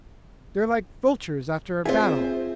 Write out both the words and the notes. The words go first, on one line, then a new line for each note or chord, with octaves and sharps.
"They're like vultures after a battle."
C4 F4 G#4 C5 E5